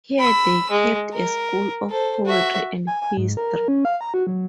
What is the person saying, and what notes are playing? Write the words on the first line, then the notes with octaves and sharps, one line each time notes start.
Here they kept a school of poetry and history.
B5 E6
G#3
A#4
A4 C5
F#4 E5
G#5
G#5
G#2
A#4
C#4
F5
A#5
F#4
F#3